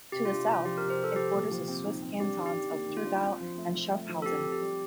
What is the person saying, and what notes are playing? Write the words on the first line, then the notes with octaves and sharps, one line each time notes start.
To the south it borders the Swiss cantons Thurgau and Schaffhausen.
C3 G4
F4
D4
C3 F4
F3 G4
A#4
C3
C5
C3 A4
F3 G4
A#2
F3
C4
D#4
C4
D4 G4
D#3
G4
D#3
A#3 G4
D#3
F4
D4
C4
F3
A3
F3
A3
F3
A4
C4 G4
C4
G4
G3